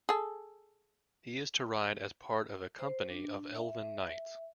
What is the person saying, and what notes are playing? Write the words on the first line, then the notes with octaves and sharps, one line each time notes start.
He is to ride as part of a company of elven knights.
G#4 A4
C5
D4
E5